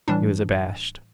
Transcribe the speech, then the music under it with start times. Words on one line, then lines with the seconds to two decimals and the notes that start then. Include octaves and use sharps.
He was abashed.
0.08 A2 E3 G3 D4